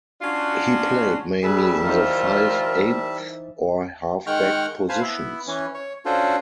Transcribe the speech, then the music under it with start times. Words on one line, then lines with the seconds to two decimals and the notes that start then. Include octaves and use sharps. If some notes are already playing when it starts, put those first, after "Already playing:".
He played mainly in the five-eighth or halfback positions.
0.22 C#4 D4 F4 F#4
1.44 G3 G#4 B4 E5 A5
1.85 E3 D#4 F4 A#4 C5
4.27 D#3 G#3 F#5 G5 C#6 F6
4.89 B4 C5 F5 G#5 A5
5.01 B3 E4
5.47 E3 C#4
5.74 C#5
6.06 C#4 D4 F4 F#4 A4 C5